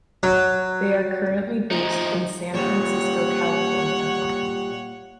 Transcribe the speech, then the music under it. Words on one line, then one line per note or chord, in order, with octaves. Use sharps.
They are currently based in San Francisco, California.
F#3
F3 D#4
A#2 G3 C#5 F#5